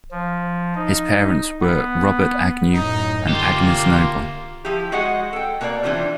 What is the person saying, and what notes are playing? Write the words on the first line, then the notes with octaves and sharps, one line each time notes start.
His parents were Robert Agnew and Agnes Noble.
F3
D#4
B3
F#2 A2 D#4
D3 A#3 F4 G4
F3 E4 G4
G#3 F#4 G#4 D#5 F#5
A4 G5
B2 A#3 A#4 C5 D5
E3 D4 F4 G4 C5